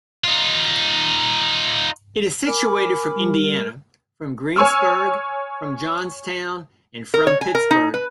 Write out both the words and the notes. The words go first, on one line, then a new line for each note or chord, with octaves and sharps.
It is situated from Indiana, from Greensburg, from Johnstown, and from Pittsburgh.
D#4 F4
A#4 G#5 B5 D6
G3
C#5 G#5 C#6 E6 F6
A#4
C#5
G#5
A#4
D#4
B4